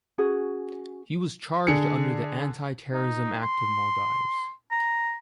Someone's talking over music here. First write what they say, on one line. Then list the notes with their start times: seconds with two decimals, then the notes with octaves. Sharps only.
He was charged under the Anti-Terrorism Act of Maldives.
0.18 C#4 F#4 G#4
1.67 D3 G#4 C#7
2.93 D#4
3.43 C6
4.71 A#5